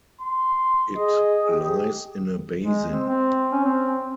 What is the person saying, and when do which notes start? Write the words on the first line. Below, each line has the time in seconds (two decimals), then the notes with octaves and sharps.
It lies in a basin.
0.20 C6
0.96 G#4 D#5
1.49 G4
2.65 G#3
2.90 C4
3.09 C4
3.52 C#4
3.65 C4